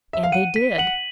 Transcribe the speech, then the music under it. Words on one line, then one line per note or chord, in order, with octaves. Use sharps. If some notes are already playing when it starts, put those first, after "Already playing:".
And they did.
E5
F5
F#5 D#7
B6
F#5 F#7